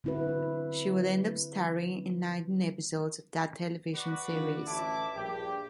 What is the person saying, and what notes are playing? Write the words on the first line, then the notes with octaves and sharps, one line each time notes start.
She would end up starring in nineteen episodes of that television series.
D3 C4 E4 F#4 B4
F#4 B4 D5
D3 E3 F4
A1 E4 A5 D6
A#1 G2 G4